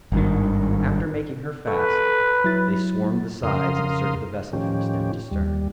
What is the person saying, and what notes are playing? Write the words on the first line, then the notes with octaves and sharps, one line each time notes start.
After making her fast, they swarmed the sides and searched the vessel from stem to stern.
G#1 G2 D#3
A4 B4 C#6
F#3 E4 A6
F2 C#3 A#4 F5 C6 D#6
A2 D#3 F3 C#4 G4
D#2 G3